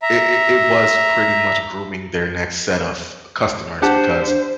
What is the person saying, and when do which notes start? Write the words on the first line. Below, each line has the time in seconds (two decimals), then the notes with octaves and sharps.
it it it was pretty much grooming their next set of customers because
0.02 E5 A#5
3.82 D4 G4 C5 F#5 A5